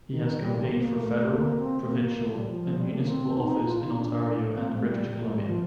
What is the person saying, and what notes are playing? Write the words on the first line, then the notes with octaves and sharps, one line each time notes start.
He has campaigned for federal, provincial and municipal office in Ontario and British Columbia.
D#3
G3
A#3
C4
A#3
A3
A#3
C4
A3
A#3
A3
G3
F3
G3
A3
A#3
C4
D#4
F4
D#4
D4
C4
G3
A3
G3
A#3
A3
G3
F3